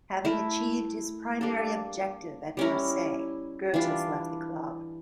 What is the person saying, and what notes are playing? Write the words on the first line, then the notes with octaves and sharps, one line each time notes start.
Having achieved his primary objective at Marseille, Goethals left the club.
A3 E4 A#4
G3 A#3 D4 A4
G3 C#4 E4 A#4
E3 G3 D4 F4